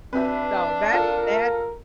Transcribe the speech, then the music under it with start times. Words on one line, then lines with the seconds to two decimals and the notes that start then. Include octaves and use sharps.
So that that,
0.13 C4 D4 F#4 B4 E5
0.93 F4 A4 A#4